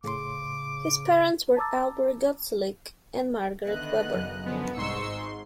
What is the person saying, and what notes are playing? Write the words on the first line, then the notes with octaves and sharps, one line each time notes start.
His parents were Albert Gottselig and Margarethe Weber.
A2 C#3 C6 D6
A5 A#5 D6 E6 A6
D3 D#3 B3 D#5 E5 F#6
F#2 C#3 F#3
D3 F3 G#3 B3
C2 G#2 D#4 C6 C#6 E6 C#7
G#1 C5